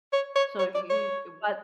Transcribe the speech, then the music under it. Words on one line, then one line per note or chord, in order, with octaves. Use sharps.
So you uh, what
C#5
C#5
C#5
D5
C#5